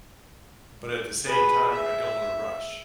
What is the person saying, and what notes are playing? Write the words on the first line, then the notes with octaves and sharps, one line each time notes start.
but at the same time, "I don't want to rush."
G#4 B4
E5